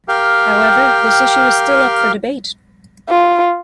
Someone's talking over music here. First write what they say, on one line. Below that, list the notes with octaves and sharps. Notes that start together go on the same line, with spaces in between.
However, this issue is still up for debate.
G4 A#4 F5 G5
F4